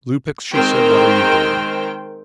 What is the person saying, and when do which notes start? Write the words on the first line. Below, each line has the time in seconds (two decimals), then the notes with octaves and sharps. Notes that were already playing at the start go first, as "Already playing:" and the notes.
"Lupex," she said, "what are you doing?"
0.52 D#3 G#3 C4 A#4 C5 G5